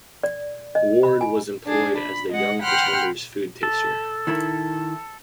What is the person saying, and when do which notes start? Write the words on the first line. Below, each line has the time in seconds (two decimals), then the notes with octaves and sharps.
Ward was employed as the Young Pretender's food taster.
0.23 D5
0.75 D#5
1.03 B5
1.21 G#5
1.65 D4 G#4
1.99 B5
2.31 G#3 D#5 F#5
2.63 F#5 G5 B5 C6 F6 F#6
3.63 A4
4.27 D#3 E4 A#4